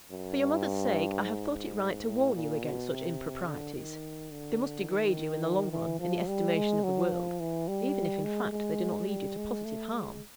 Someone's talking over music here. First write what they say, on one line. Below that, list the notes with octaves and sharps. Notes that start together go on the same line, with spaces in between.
'For your mother's sake, I have thought it right to warn you against such improprieties; they must degrade you in the long run in the estimation of the world, even if in fact they do not lead you to positive harm.'
F#2
G2
G#2
G#2
A2
A#2
B2
C3
D3
D#3
D3
D#3
E3
F3
G3
G#3
F#3
F3
E3
G3
G#3
G#3
G3
G#3
A3
G#3